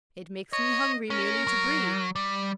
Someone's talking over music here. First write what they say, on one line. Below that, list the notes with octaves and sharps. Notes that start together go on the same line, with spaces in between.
It makes me hungry merely to breathe.
C#5 D#5
C#4 A#4
F#3
G3